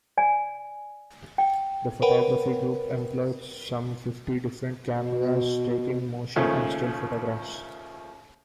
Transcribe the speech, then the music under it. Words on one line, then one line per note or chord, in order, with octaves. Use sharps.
The photography group employed some fifty different cameras, taking motion and still photographs.
D5 G#5
G5
A#4 B4 C#5 F#5 G5 B5
B2
D#2 C#3 F3 A3